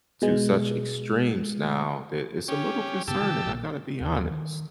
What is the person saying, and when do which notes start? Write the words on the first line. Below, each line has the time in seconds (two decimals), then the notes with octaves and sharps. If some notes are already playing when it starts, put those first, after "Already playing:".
to such extremes now that it's a little concerning, I gotta be honest.
0.22 B2 G#3
2.48 C#4 G4
3.08 G2 C#3 B3 G4 A5 E6
3.21 C3 D#3 F3
3.45 A#1 A#2
4.01 D#2
4.30 D#3